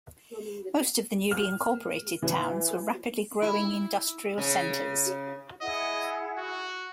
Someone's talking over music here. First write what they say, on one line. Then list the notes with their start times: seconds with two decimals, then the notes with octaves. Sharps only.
Most of the newly incorporated towns were rapidly growing industrial centres.
1.31 F6
2.22 E3
3.42 E4
4.38 C#3 C#4
5.61 E4 G#4 D#5 F#5
6.37 F#4